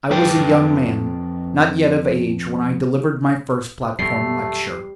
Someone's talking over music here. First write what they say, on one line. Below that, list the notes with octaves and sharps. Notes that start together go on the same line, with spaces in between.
I was a young man, not yet of age, when I delivered my first platform lecture.
F2 B4 G5 A5
F#2 B2 G3 A3 C7